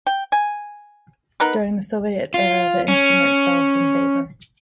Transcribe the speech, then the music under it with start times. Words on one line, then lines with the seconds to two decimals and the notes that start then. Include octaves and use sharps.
During the Soviet era the instrument fell from favour.
0.07 G5
0.32 G#5
1.40 B3 D#4 A#4 B4
2.34 F4
2.88 C#4